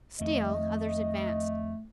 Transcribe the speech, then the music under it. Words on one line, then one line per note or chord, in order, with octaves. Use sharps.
Still others advanced.
F2 D#3 A3 D#5